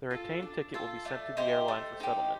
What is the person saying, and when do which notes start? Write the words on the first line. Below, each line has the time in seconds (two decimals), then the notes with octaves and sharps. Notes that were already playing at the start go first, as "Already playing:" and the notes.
The retained ticket will be sent to the airline for settlement.
0.11 F4 A4
0.42 D4
0.74 F4 A4
1.05 A3 D5
1.37 D#4 G4 C5
1.68 A3
2.00 D#4 G4